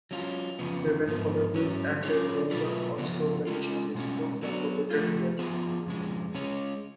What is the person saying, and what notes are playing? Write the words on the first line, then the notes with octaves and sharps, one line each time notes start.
Seven colleges and a dozen or so vocational schools are located there.
F#3 C#4 F4
F2 C#3 F3 B3
G#2 F3 B3
G#2 F#3 C#4
F#3 C#4 F4 G#4 C#5
B2 F#3 A3 F4 B4
C#3 F3 B3
G#3 C#4 F4
B2 G#3 C#4
F#3 B3 F#4
F3 A3 F4
F3 B3 F4 G#4
F2 C#3 G#3
G#3 C#4 G#4 C#5